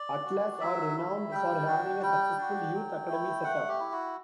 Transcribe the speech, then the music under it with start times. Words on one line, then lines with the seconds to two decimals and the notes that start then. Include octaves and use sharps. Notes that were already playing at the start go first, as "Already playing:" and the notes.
Atlas are renowned for having a successful youth academy setup.
Already playing: D5
0.25 D4 F#4
0.60 F#3 E5
0.96 A3 E4
1.31 G3 G5
1.67 D4 F#4
2.02 G3 G5
2.37 D4 F#4
2.73 F#3
3.09 A3 E4
3.44 A3 F#5
3.68 G4
3.80 E4
3.92 F#4